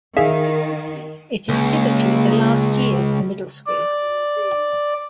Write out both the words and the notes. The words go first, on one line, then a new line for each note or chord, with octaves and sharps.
It is typically the last year for Middle school.
D#3 G#4 E5 F5
C#2 A#3
D5